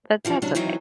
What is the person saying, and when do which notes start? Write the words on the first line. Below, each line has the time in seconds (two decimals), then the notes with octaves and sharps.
But that's okay.
0.25 E3 F3 G3
0.42 C3 F#3 C#4 D4
0.55 D#3 E3 F#3 C4 D#4